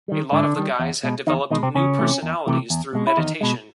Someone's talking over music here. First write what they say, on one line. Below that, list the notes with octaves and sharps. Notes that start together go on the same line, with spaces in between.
A lot of the guys had developed new personalities through meditation.
D#3 G3
G#2 D3 D4
D#3 G3
E2
B2 G#3
E2 D#3 D#4
B2 D#3 G#3 D#4
C3 C4
E2 C#3 C#4
C3 E3 A3
E2
C3 E3 A3
E2
B2 G#3
E4
E2 D#3 D#4
B2 G#3